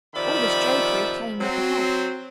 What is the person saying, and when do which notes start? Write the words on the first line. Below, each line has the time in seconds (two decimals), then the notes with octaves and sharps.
All this drapery came with the head.
0.14 C3 D#3 F3 D5 E5 B5
1.39 F#3 C4